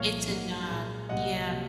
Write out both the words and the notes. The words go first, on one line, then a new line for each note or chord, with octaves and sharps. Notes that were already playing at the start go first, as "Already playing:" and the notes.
It's a job. Yeah.
Already playing: C2 A#2 F3 A#3 C#5 F5
G#2 F#3 A#3
A#2 G#3
C2 C3 F#3 A#3 D#5 F#5
C3 F#3 A#3